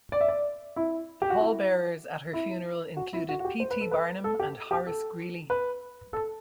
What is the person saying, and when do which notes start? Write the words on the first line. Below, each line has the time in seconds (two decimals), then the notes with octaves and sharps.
The pallbearers at her funeral included P. T. Barnum and Horace Greeley.
0.12 D5
0.21 E5
0.28 D5
0.76 E4
1.22 G4
1.30 F#4
1.40 E4
2.33 E4
2.97 F#4
3.13 E4
3.29 F#4
3.40 F#4
3.45 G4
3.60 C5
3.71 B4
3.81 A4
3.91 B4
4.24 A4
4.40 G4
4.71 G4
4.87 A4
5.50 B4
6.13 A4